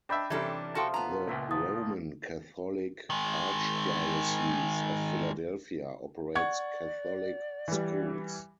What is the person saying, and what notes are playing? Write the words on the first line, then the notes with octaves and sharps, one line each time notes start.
The Roman Catholic Archdiocese of Philadelphia operates Catholic schools.
D4 D#5 E5 G5 A5 B5 G6
C3 E3 G3 C#4 D4 E4 A4 A#4
F3 A3 F4 F#4 A4 G5 A5 C6
B3 A#5
C#2 A#2 A#4 E5 D#6
F3 D#6 A6
D#3 G#3
D5 F#5 C#6 G#6
E3 G3